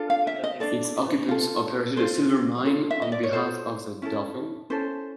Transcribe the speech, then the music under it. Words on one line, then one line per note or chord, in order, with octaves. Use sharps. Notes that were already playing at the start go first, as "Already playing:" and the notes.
Its occupants operated a silver mine on behalf of the Dauphin.
Already playing: D4 F4 A4
F5
E5
D#5
D4 F4 A4 D5
F4 A4
F4 A4 C5
F4 A4
E5
D#5
D5
C#5
F4 A4 C5
C#4 E4 A4
C#4 E4 A4 C5